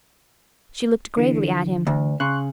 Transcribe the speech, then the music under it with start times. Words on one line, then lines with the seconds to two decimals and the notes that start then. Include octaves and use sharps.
She looked gravely at him.
1.17 D3 E3
1.87 D2
2.20 C#3 C6 C#6 F#6